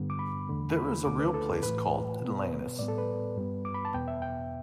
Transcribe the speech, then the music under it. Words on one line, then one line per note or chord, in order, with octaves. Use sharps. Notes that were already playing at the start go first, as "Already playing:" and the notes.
There is a real place called Atlantis.
Already playing: G2 D3 G3 B3
D6
B5
E2 D3 A3
B5
D2 D3 A3 D6
B4
A4
A2 E3 A3 B4
B2 B3
A2 G3 B3 D5
A4
B4
G2 G3 B3
D6
B5
A5
E2 B2 B3 G5
E5
G5